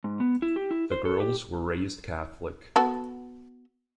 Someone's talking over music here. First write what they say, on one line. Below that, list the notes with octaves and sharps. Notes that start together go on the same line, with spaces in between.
The girls were raised Catholic.
G#2
B3
E4
G4
E4
C5
A4
G4
B3 F#4 A4